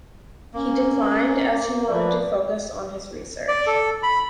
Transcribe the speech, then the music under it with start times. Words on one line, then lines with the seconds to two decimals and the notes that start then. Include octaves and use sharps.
He declined as he wanted to focus on his research.
0.53 A#3 C#4
1.89 F3 B4 D5
3.48 D5
3.67 A4
4.03 B5